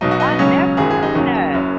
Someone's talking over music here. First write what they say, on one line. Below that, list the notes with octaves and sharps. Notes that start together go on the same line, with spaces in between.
I never knew that.
B1 B2 F#3 D#4
F#4
D#4
B3
C#2 C#3 F#3 C#4
G#1 F#2 D#3 F#3 G#4
G#4
D#4
D#2 C#3 F#3 C#4
F#1 F#2 F#3